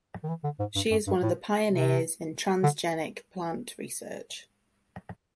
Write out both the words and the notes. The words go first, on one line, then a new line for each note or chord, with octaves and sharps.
She is one of the pioneers in transgenic plant research.
D#3
E3
D3
G#2
G2
F#2
G2
A2
C3
D3